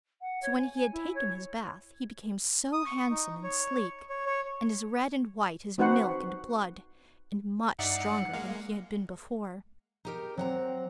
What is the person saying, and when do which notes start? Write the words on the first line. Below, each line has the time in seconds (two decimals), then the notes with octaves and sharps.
So when he had taken his bath, he became so handsome and sleek, and as red and white as milk and blood, and much stronger than he had been before.
0.21 F#5
0.42 C#5
0.57 G#5
0.74 G#5
0.92 E4
1.14 C#5
2.73 D#6
2.86 C#6
3.10 D#4
3.44 C#5
4.10 C#5
4.26 C#5
5.78 C4 D#4 F#4 B4 C5 F#5
7.79 G2 D#4 D5 E5 F#5 C7
8.33 G#3 A#3 F5
10.05 D#4 G4 A#4
10.38 F#3 C4 F#5 A#5